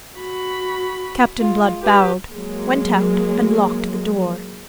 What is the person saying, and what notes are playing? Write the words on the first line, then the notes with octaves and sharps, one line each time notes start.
Captain Blood bowed, went out, and locked the door.
F#4 B5
G#3 F4
G4 B4
F#3 G#3 A#3